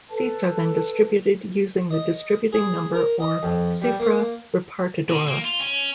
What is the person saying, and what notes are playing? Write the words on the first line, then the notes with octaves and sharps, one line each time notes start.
Seats are then distributed using the distributing number, or "cifra repartidora".
A4 B4 A5
D#5
G#4
A#4
D#5
F2
G3
A#3
B2
A#3
F4
C#4